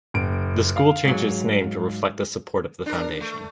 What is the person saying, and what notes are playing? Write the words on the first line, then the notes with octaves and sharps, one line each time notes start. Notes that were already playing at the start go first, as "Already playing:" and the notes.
The school changed its name to reflect the support of the Foundation.
F#1 D7
F5
G#2 F#3
D4 A#4
A3